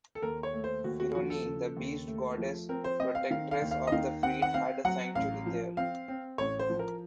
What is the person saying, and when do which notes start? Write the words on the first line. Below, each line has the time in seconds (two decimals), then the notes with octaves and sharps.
Féronie, the beast goddess, protectress of the freed, had a sanctuary there.
0.15 A4
0.22 D#2 A#4
0.43 C#5
0.53 A3
0.64 C5
0.84 D#2 F#4
1.00 F#4
1.15 F3 F#4
1.30 A4
1.45 C#3
1.77 D#2
2.08 A3
2.38 F3
2.69 C4 A#4
2.84 C5
3.00 C4 D#5
3.15 F5
3.30 D#3 F5
3.51 F5
3.62 D#2
3.71 F5
3.87 D#5
3.92 D#3 F5
4.23 C4 F#5
4.42 F#5
4.54 C4 F5
4.85 F#3 F#5
5.15 A1 F5
5.46 F3
5.77 C4 F5
6.08 C4
6.38 A1 C#5
6.59 C5
6.70 F3
6.79 A#4